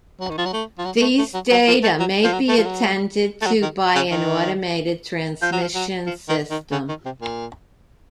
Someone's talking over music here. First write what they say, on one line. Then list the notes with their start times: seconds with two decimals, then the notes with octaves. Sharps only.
These data may be attended to by an automated transmission system.
0.20 F#3
0.30 D#3
0.38 F3
0.46 F#3
0.53 A3
0.78 F3
0.85 F#3
1.01 A3
1.18 A3
1.34 F#3
1.51 F#3
1.67 F3
1.83 A3
2.00 F#3
2.24 F3
2.33 F#3
2.49 A3
2.57 F3
2.65 F#3
3.42 A3
3.46 F#3
3.62 D#3
3.95 C#3
4.12 D#3
5.42 F3
5.52 F#3
5.62 F3
5.75 F#3
6.07 F3
6.29 D#3
6.50 D#3
6.72 C#3
6.89 D#3
7.05 C3
7.22 A#2